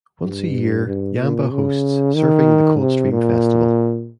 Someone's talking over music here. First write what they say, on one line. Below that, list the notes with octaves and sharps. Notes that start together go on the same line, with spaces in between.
Once a year Yamba hosts "Surfing The Coldstream Festival".
G2
G2
A#2
C#3
D#3
C3
A#2